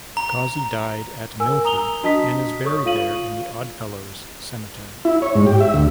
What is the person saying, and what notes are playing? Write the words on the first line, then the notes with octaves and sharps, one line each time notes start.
Causey died at Milford and is buried there in the Odd Fellows Cemetery.
A#5
A#4 G#5 E6
A#5 D#6 F7 G7
D4 F#4 D#5 A5 D#6 B6
A4 C#5 C#6 D#6
F4 F5 D#7 F#7
E4
C#5
G#2
G4
E5
D2